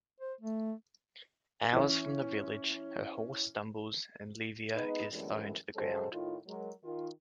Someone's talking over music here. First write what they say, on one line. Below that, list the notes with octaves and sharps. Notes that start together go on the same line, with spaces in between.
Hours from the village her horse stumbles and Livia is thrown to the ground.
C5
A3
E3 C#4
G#3 B3 D#4 B4 D#5
F#2 A2 D3 E3 G3 G#3
C#3 F#3 G#3 A4 C5
A2 D#3 D#4 F4
F#3 G#3 A#4
D#3 F4